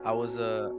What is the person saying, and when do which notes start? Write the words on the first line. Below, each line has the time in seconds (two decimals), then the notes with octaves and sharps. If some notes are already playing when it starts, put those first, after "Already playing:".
I was, uh
Already playing: B2 C#4 F#4 A4 B4
0.13 F#3
0.41 B2